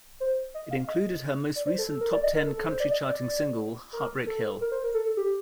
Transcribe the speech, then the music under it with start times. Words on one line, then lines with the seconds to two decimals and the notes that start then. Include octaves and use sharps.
It included her most recent top-ten country-charting single, "Heartbreak Hill".
0.20 C5
0.54 D#5
0.71 F5
0.88 D#5
1.56 D5
1.67 C5
1.78 A4
1.90 A4
2.01 A#4
2.12 D5
2.23 D#5
2.35 A#4
2.46 A4
2.57 A4
2.69 C5
2.80 D5
2.91 D#5
3.08 D5
3.93 A#4
4.27 A4
4.61 A#4
4.72 C5
4.84 A#4
4.94 A4
5.06 A4
5.17 G4